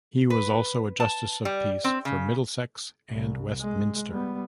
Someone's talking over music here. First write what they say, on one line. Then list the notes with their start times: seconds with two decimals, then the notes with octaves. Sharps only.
He was also a Justice of Peace for Middlesex and Westminster.
0.30 B4
1.00 A5
1.45 G3
1.84 C4
2.05 C#3
3.10 C2
3.61 G#3
4.09 G3 B3